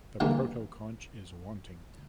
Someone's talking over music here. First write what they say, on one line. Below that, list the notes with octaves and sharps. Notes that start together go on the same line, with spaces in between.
The protoconch is wanting.
D3 E3 G3 A#3